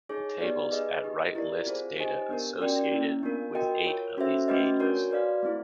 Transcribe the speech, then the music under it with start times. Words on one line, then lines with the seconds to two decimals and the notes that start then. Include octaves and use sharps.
The tables at right list data associated with eight of these gauges.
0.09 D#4 G#4 C#5
0.40 B3 D#4 G4 B4 D5
0.71 G#4 B4 D#5
1.04 D#4 G4 B4 D#5
1.35 E4 G4 A#4 D5
1.66 C4 F4 G#4 C5
1.97 D#4 G4 C5 D#5 G#5
2.29 B3 D4 G4 A#4
2.60 C#4 F#4 A#4 D5 G5
2.91 A#3 C#4 E4
3.23 B3 D4 F4 A#4
3.54 F#4 A#4 D#5 G5
3.86 F4 A#4 C#5
4.17 C#4 F#4 A4 C5 E5
4.48 A3 C#4 F#4 B4 D#5
4.80 D4 F#4 A#4 C#5
5.11 F#4 B4 D5 F5
5.43 A3 C4 E4